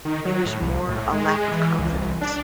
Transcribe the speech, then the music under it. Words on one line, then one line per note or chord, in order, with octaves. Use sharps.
It was more a lack of confidence.
D#3
F#3
A2
C2
A2
G#3
G#3
E3
C#2
C2
D4